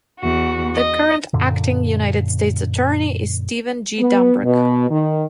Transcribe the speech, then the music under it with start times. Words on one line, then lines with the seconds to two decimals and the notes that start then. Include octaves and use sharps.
The current Acting United States Attorney is Stephen G. Dambruch.
0.20 E2 F#4
0.75 D#5
1.33 F#2 A#2 D3
3.99 B3
4.43 B2
4.90 D#3